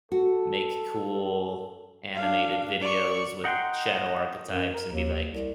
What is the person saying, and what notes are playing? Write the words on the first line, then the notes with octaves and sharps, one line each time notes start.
make cool animated videos with shadow archetypes and be like
F#4 A4
D4 F5
D5 C#6
D#4 F#5 G5 C6
F#2
A#4
D#2
C2